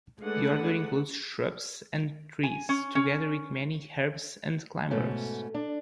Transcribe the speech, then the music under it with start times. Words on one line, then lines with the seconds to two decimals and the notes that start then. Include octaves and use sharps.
The order includes shrubs and trees, together with many herbs and climbers.
0.22 G#3 A3 D4 B4 F#5
2.43 G#5
2.69 C#4
2.95 C#4
4.91 G#2 B2 A3 C#4
5.54 D4